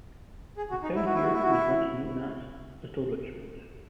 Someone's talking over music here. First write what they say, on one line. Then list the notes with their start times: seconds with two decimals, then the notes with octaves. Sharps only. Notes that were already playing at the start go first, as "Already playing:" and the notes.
The town here was once known as 'Little Richmond'.
0.57 G#4
0.71 F#4
0.83 D#4
0.96 E4
1.06 F#4
1.15 E4
1.24 F#4
1.33 E4
1.42 F#4
1.51 E4